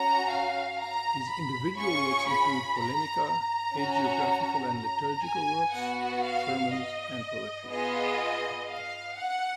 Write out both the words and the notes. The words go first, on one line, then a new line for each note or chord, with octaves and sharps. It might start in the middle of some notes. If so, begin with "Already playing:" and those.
His individual works included polemica, hagiographical and liturgical works, sermons and poetry.
Already playing: C#4 F#4 A#5
F5
A#5
B5
C#4 F4 G#4 C#6
B5
A#5
A#5
C#4 F#4
A#5
G#5
B3 F#4 F#5
F5
D#5
B3 F4 G#4 D#5
F5
F#5